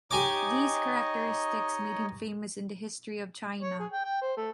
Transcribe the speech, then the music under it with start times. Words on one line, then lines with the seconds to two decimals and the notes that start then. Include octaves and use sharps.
These characteristics made him famous in the history of China.
0.11 D#4 G4 C#5 D#5 G#5 D6
3.63 C#5
3.79 G#4
3.92 G5
4.05 G5
4.21 C5
4.37 A3